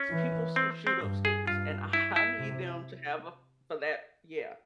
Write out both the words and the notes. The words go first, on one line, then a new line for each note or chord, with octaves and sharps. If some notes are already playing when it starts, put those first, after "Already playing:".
s people sc shoot up schools and I need them to have a for that Yeah,
Already playing: C#4
E3
C4
C4
G2
G#4
G2 F4
E4
E4
C3